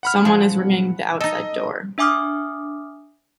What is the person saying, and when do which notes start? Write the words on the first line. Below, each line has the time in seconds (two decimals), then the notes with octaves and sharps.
Someone is ringing the outside door.
0.03 F#5 B5 F6
0.25 F3 G#4
1.21 D#4 A4 D#5
1.98 D4 E5 G#5 D6 D#6 F6